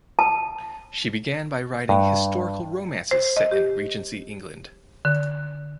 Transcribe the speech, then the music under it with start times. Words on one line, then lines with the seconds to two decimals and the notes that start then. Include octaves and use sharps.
She began by writing historical romances set in Regency England.
0.19 A5
1.89 G2
3.11 C5
3.37 D#5
3.51 G4
5.05 D3